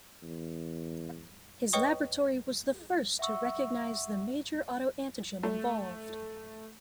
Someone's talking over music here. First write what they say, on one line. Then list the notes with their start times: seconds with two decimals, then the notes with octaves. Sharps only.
His laboratory was the first to recognise the major auto-antigen involved.
0.22 E2
1.73 B4 C#5 D#5 G5 C#6 D#6
3.19 E5 F#5 C#6 E6
5.43 A3